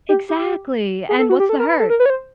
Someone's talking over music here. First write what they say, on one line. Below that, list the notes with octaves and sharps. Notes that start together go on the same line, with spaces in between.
Exactly, and what's the hurt?
G4
G4
G#4
A4
F#4
G4
A4
A#4
B4
A4
A#4
B4
C#5
C5